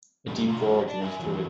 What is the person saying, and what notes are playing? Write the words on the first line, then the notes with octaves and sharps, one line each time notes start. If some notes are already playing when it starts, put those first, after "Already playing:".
A deep gorge runs through it.
B2 F3 G3 C#4 D#4 G4
B2 D3 F4 F5 A#5
F#3 G3 F#4 G4 D#5
D4
A#4 E5 G#5
F2 E3 F#3